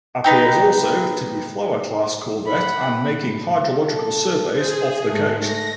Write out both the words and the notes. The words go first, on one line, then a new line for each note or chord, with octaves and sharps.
Appears also to be Flower Class corvette and making hydrological surveys off the coast.
B3 D#4 G4
F#5 B5
A4
G#4 C5
G#2 A3
A3 A#6